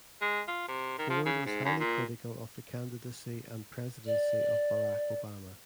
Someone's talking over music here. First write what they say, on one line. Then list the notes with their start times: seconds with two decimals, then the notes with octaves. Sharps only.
Ford was highly critical of the candidacy and presidency of Barack Obama.
0.21 G#3
0.48 F4
0.68 C3
0.98 D#3
1.10 F3
1.26 C#3
1.46 G#2
1.65 F#2
1.80 A#2
4.07 D5